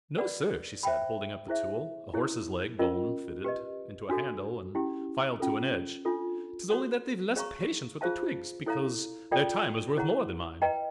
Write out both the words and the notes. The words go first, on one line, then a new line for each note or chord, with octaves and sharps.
"No, sir," she said, holding up the tool--a horse's leg-bone fitted into a handle and filed to an edge--"'tis only that they've less patience with the twigs, because their time is worth more than mine."
B4 D5 F#5 B5
C5 E5 G5 B5
E4 G#4 C5 E5
E4 G#4 C#5
C#4 F4 A#4 D#5
G4 B4 D#5
D4 F#4 A4
C#4 E4 G4
C#4 F4 A4
D4 F4 A4
F#4 A4 C#5 F#5
G#4 C#5 F5 A#5 C#6
F4 G#4 C5 F5 A5
E4 A4 C#5 F5 A#5
F4 A4 D5 G5
E4 G#4 C#5 F#5 A#5
B4 D#5 G5 A#5